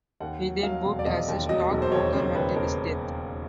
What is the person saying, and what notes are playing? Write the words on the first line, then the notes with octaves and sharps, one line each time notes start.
He then worked as a stock broker until his death.
D#2 F#5
F#3
F#3 F5
E1
D5
E1 D#5
D#2
F#3 D#5
E1
C5
D#2 C#5
C#3 C5
D#2 B4
E1 A#4